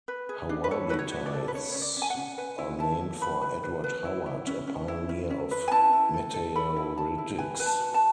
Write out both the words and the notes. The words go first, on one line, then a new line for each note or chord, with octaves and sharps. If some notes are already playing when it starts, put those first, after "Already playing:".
Howardites are named for Edward Howard, a pioneer of meteoritics.
B4
G#4
D4
B4
A4 C#5
F#4 B4
C#5
F#4
D5
A4
B4
C#4 C#5
C#4 C#5
D5
C#4
G#5
F#5
C#4
B4 G#5
E4
E4 A5
E4
B4 B5
B4
B4
B4
E4
E4
C#4
C#4
E4
C#4
C#4
B4
G#5
E4 A5
E4
A4
A4
A4 B5
E4
E4 A5
E4
B4 G#5
B4 G#5
A5
F#4
A5